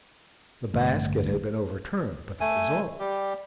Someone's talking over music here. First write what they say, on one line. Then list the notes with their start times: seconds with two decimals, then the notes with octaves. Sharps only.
The basket had been overturned, but that was all.
0.74 A1 G2 D3 A3
2.40 A3 G#5
2.99 G3 G4